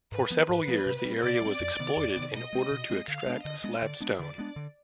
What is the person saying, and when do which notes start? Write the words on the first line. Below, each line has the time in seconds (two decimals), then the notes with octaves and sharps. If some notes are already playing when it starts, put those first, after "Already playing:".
For several years the area was exploited in order to extract slab stone.
0.12 G#2 B4
0.30 F3 B3
0.49 G#2
0.68 F3 B3
0.86 C3
1.05 G3 C4
1.23 C3 D5
1.42 G3 C4
1.60 F2
1.79 C3 D#3 B3
1.97 F2
2.16 C3 D#3 B3
2.34 B2 D#5
2.53 G#3 C4
2.71 B2
2.90 G#3 C4
3.08 D3 F5
3.26 G#3 B3 D4
3.45 D3 D#5
3.64 G#3 B3 D4
3.82 D3 D5
4.00 G#3 B3 D4
4.19 D3 D5
4.38 G#3 B3 D4
4.56 D3